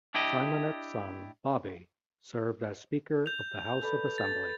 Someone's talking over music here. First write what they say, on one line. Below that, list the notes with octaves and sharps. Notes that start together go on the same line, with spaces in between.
Symonette's son Bobby served as Speaker of the House of Assembly.
D4 E4 G4 D#5
G6 F7
A4 B4 D5
A6